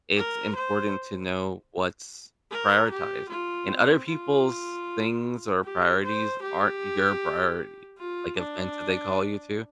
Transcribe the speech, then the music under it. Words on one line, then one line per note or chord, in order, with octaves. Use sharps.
it's important to know what's prioritized. And other people's things or priorities aren't your priority, like, events that they call you to.
A#4
C5
A#4
G4
F4
C4
F4
G4
C5
G4
F4
D4